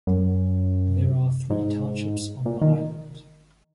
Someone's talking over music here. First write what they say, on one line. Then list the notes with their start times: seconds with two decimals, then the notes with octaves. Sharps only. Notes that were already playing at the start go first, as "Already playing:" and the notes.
There are three townships on the island.
0.07 F#2
1.50 G#2
2.46 A#2
2.62 D#3